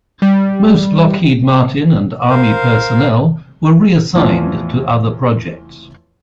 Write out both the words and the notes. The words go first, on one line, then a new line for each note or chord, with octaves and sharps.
Most Lockheed Martin and Army personnel were reassigned to other projects.
G3
A#4 C5 F5
E2 A2 E3 F3